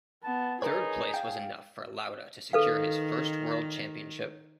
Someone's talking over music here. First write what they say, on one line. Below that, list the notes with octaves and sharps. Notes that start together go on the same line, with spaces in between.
Third place was enough for Lauda to secure his first world championship.
B3 A5
D#4 G#4 A#4 B4 C#5
F5 G5
D#3 A4 B4 F5